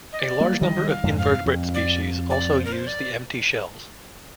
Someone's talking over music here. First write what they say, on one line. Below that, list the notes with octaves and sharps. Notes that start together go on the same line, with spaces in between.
A large number of invertebrate species also use the empty shells.
D#5
D5
G3 A#3
D#3 G3 D#5
F5
F2 G#2
F5
F2
D5
D5
C5
A#4
C5
D5